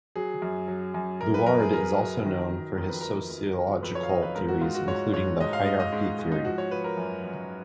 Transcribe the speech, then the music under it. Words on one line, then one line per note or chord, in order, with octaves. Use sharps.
Luard is also known for his sociological theories including the hierarchy theory.
F#3 G#4
F#2
F#3
F#2
F#2 A#4
B4
F#2 A#4
G#4
F#3 A#4
F#3
D#3
F#3
F2 A#4
B4
D#3 A#4
F2
F#3
F2 B4
C#5
F5
F#3 D#5
B4
G#2 A#4
F#4
G#2 F4
F#4
G#2 C#5
G#2 C#5
G#2 D#5
F5
G#2 D#5
D#5
G#2
G#2
D#4
F3 F#4
C#5
F3 B4
A#4
F#2
F#2